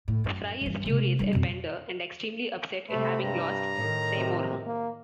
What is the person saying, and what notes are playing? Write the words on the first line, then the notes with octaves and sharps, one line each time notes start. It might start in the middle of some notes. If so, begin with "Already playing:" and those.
Fry is furious at Bender and extremely upset at having lost Seymour.
A2
F#2
G2 E3
C3 G#3
G3 D4
F2 B2
C3 A3 B5
G2 A#5
A2 D#3
C3
A#3